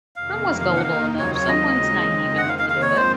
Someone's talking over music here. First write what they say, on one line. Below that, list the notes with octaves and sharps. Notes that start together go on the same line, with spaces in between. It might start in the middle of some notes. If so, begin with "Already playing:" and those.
Someone's gullible enough, someone's naive enough to do it.
F2 C3 D#3 A#3 F5
D#3 A#3 D#4 F5
F#5
F5
D#2 C#3 F#3 C4 F4
C#5
C#5
C#3 G#3 D#4 D#5
F2 D#3 G#3 C4
D#3 A#3 D#4 F#5
F5
F5
F5
G#2 F3 C4 F4 C#5
C5